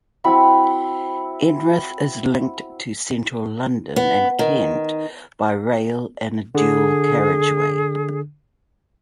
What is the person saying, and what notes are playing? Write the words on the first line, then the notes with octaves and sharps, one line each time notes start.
Erith is linked to central London and Kent by rail and a dual carriageway.
C4 E4 F#4 B5
B3
D#3
D3 G#4